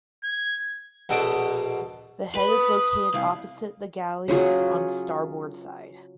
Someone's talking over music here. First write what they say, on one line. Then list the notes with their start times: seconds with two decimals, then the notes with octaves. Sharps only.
The head is located opposite the galley on the starboard side.
0.24 G#6
1.09 A#1 B2 F#4 A4 D#5 D6
2.35 B4
2.48 D#6
2.91 D#6
3.14 C2 F5
4.28 C#3 F#3 F4 G#4